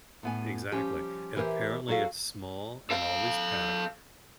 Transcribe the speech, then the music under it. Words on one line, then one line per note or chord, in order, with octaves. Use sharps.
Exactly. And apparently, it's small and always packed,
A2 B3 G#5
F3 G3 C#4 G4
E3 G4 A#4 C5 E5
F#3 F#4 G#4 A4 F5
A4 F5